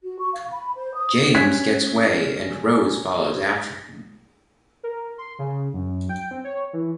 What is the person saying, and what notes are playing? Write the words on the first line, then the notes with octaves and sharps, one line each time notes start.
James gets way and Rose follows after him.
F#4
C#6
F5
B5
C5
D#6
C#4 F#6 G#6 B6
A#4
C6
C#3
F#2
G5
C4
C#5
E3